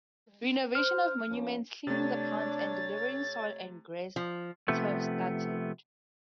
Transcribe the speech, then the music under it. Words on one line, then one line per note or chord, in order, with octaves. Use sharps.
Renovation of monuments, cleaning the ponds and delivering soil and grass turf started.
C5 F6
F3 A#3 C#4
C3 A3 D4 C#5 A6
F3
C3 F3 A3 B3